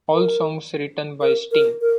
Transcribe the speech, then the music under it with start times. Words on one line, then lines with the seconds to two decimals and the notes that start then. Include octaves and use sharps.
All songs written by Sting.
0.10 A#4
1.21 A#4
1.52 A#4
1.81 A#4